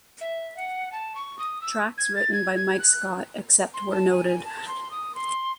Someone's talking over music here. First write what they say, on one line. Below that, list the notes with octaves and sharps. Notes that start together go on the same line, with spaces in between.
Tracks written by Mike Scott, except where noted.
E5
F#5
A5
C#6
D#6
E6
G#6
A6
G#6
G#6
F#6
C6
A5
G#5
G#5
A5
C6
D#6
C6